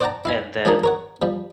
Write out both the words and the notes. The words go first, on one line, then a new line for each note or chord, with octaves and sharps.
And then
C5 D5 F#5 G5 A5 A#5
E4 F5 G#5
F3 G#3 C#4 D4 G#4 A#4
A#4 C#5 F#5
F3 G3